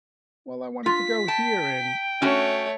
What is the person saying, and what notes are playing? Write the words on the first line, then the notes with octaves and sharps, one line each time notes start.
"Well, I wanted to go here and
F4 B6
G5 A5
A3 C#4 F#4 C#5